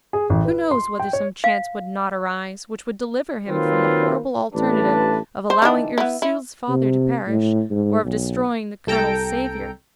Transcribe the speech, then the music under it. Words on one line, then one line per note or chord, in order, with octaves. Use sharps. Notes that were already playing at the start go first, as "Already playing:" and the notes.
Who knows whether some chance would not arise which would deliver him from the horrible alternative of allowing Ursule's father to perish, or of destroying the colonel's saviour?
G#4
A1
B4
C6
G5
C#5
F5
D#3 F#3 A#3 C4 F4 B4
A1 G2 A3 D4 B4 A5
C5
D#3 E3 D4
B3 E4
E4
C3
A2
G#2
B1
C2 A4 G5 A#5 D7